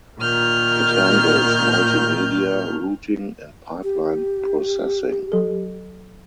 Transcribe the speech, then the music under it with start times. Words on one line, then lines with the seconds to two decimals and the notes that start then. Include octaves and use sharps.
It handles multimedia routing and pipeline processing.
0.18 A#2 D#3 F6 G6
3.83 G4
5.32 F#3 A4